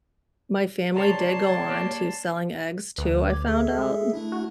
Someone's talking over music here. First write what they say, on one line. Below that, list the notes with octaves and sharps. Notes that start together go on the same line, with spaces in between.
my family did go on to selling eggs too, I found out,
C#2 C3 C#5 D5 A5 A#5 C6
A#3 G4
D2 B4
D6 G#6
G#4 A4 E5
G#3
A3 D4 E4
F#4